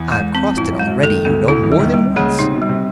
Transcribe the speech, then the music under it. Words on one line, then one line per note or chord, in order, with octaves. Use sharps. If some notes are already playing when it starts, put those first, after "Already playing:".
I've crossed it already, you know, more than once.
Already playing: E2 E3
G#3
C4
F2 F3 E4
F#2 F#3
G#3
F#2 F#3
D#2 D#3 A4
D2 D3 B3
D2 D3 E4
E2 E3
G3
D#2 D#3
G3
C#2 C#3 A#3
C3 D#4
B2
G3
C3